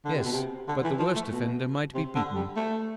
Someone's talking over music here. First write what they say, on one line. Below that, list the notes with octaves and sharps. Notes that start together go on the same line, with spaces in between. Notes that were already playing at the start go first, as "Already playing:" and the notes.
"Yes; but the worst offender might be beaten."
D3
C3
B2
C3
D3
E3
F3
A3
B2
C3
D3
G3
A3